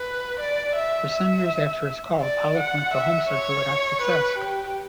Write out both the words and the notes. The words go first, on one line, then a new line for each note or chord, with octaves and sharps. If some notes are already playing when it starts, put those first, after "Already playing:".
For some years after his call Pollock went the home circuit without success.
Already playing: B4
D5
E5
E5
D5
F#5
E5
C#5
B4
G4